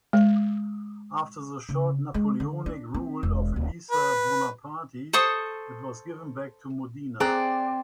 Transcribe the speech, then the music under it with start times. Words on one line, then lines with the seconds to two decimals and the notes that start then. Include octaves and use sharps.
After the short Napoleonic rule of Elisa Bonaparte, it was given back to Modena.
0.13 G#3
1.69 C#3
2.14 G#3
2.40 D3
2.66 D4
2.94 C4
3.23 E1
3.56 D1
3.91 B4
5.13 A4 C5 C#6 D#6
7.20 C4 G#4 D5 A#5 F#6